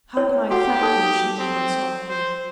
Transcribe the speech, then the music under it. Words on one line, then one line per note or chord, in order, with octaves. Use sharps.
"How can I thank you?" she murmured, softly.
C#4 E4 C#5
F#4 G4 A4 F#5
D#4 A4
C4
C5